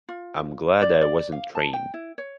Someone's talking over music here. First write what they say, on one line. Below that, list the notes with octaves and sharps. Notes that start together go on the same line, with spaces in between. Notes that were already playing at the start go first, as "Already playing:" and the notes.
I'm glad I wasn't trained.
F4
D5
D5
F5
A5
G5
E4
C#5